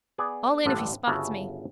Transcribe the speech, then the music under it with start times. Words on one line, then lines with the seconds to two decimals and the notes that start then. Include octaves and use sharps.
All in if he spots me.
0.18 B3 G#4 D5
0.66 A1 G2 D3 D4
1.07 G1 C#3 F#4 E5 G#5 A5